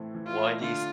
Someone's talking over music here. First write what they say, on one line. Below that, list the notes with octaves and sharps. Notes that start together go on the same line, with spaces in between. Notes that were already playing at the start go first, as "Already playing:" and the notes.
Why do you s
Already playing: A2 E3 A3 C4
E3
F4
A3
D3 F4